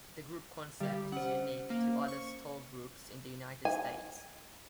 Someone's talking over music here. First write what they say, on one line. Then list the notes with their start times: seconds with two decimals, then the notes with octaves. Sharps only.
The group concept is unique to other store groups in the United States.
0.80 D3 G3 G4
1.12 C#4 C5 F#5
1.70 A#3
2.08 C#6
3.65 G#5